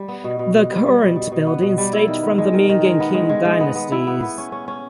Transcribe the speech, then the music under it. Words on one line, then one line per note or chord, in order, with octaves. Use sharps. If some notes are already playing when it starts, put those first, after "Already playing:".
The current buildings date from the Ming and Qing dynasties.
Already playing: G3
B3
B2
B2
B2
G3
G3
B2
B2
B2
B3
B2
G3
E4
D#3
B3
G#3
D#3
D#3
G#3
B3
G#3
G#3
G#3
B3
B3
E4
B3
B3
C#4
C#4
C#4